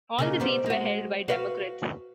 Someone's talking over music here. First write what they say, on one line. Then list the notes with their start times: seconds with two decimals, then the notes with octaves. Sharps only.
All the seats were held by Democrats.
0.18 C#3 A#3 D#4
0.40 G3 B3 C4
0.66 G#3 F#4
1.28 F#4 B4 F5